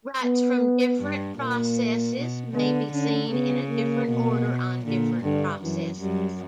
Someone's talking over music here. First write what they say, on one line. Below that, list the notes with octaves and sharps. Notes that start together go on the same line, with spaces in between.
Writes from different processes may be seen in a different order on different processes.
B3
G2
A#2 A#3
B2
D3 B3
D3 C#4
C#3 B3
A#3
B2
A#2 D3
G2 D3
F#2 E3
F#2 G3